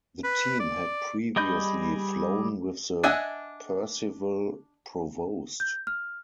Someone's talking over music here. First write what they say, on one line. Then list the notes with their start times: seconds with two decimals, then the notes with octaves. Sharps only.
The team had previously flown with the Percival Provost.
0.24 B4
0.60 D5
1.36 G3 G#4 D#5 B5 G6
3.04 D4 D#5 E5 F#5 G#5
5.60 G6
5.87 F6